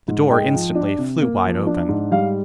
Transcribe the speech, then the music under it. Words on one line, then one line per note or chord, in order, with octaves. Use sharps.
The door instantly flew wide open.
G#2
G#3 D#5 G5
F3
D4
C3
A#3
F3
D4
G#2
G3 F5